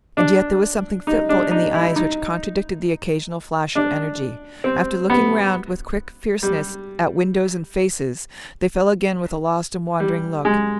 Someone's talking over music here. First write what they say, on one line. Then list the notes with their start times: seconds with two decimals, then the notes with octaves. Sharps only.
And yet there was something fitful in the eyes which contradicted the occasional flash of energy: after looking round with quick fierceness at windows and faces, they fell again with a lost and wandering look.
0.17 D4
1.07 D#4
1.29 D4
1.51 D#4
1.74 E4
1.96 D#4
3.75 D4
4.64 C4
5.10 B3
6.43 G3
10.00 G3
10.45 G#3